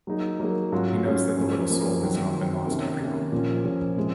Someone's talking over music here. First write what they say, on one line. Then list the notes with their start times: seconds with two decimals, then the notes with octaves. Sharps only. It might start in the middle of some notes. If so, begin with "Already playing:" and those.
He knows that the little soul has not been lost after all.
0.07 F#3 A#3 D#4 G#4
0.39 F#3 A#3 D#4 G#4
0.72 G#2 F#3 C#4 F4
1.05 G#2 F#3 C#4 F4
1.37 F3 A#3 C#4
1.70 F3 A#3 C#4
2.02 D#3 F#3 C4
2.34 D#3 F#3 C4
2.67 C3 D#3 A#3 C#4
2.99 C3 D#3 A#3 C#4
3.32 A#2 F3 A#3 C#4
3.64 A#2 F3 A#3 C#4
3.97 C3 F3 G#3